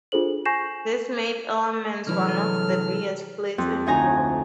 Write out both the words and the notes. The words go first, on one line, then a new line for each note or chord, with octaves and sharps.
This made Ellerman's one of the biggest fleets in the World.
D4 F4 G#4 A4 C5 F#7
G#5 C#6 G6 A#6 C7 E7
C2 E3 F#3 G#3 A4 F6
F2
D2 D#4 G#5 A#5